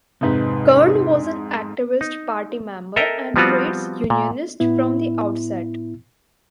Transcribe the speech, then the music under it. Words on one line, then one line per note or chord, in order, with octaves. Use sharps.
Kern was an activist party member and trades unionist from the outset.
F2 G#2 C3 D#4 B4
D#4
A4 A#4 D#5 E5 G5 A#5
F3 G3 B3 C4 F4 F#4
A#2
A2 B3 E4